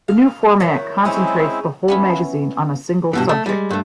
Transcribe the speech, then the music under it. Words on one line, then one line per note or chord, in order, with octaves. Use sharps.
The new format concentrates the whole magazine on a single subject.
F5
D#3 F#3 E4
G#3 C4 C#4 D#4 E4 G#4
B3 C#4 E4
G2 B2 E3
A3
G3 G#3
G2 A3